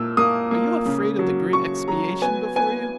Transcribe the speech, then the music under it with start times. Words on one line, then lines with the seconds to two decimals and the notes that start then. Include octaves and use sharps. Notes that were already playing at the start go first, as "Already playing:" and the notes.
Are you afraid of the great expiation before you?
Already playing: A#2 A#3 E6
0.17 A#3 D#6
0.51 A#3
0.85 C#3
1.19 F#3
1.53 C#3 C#6
1.88 F#3 A#5
2.22 B3 G#5
2.56 B3 G#5